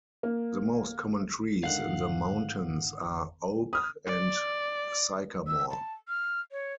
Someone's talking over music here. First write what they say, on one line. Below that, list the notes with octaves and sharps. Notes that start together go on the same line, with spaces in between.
The most common trees in the mountains are oak and sycamore.
A#3
G#2 D3 D#3 F5 F#5
B5 D#6 F6
D5
E6
A5
F6
C#5